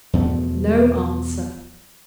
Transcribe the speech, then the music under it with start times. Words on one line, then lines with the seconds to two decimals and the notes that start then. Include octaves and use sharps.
No answer.
0.13 E2 B2 F3 A3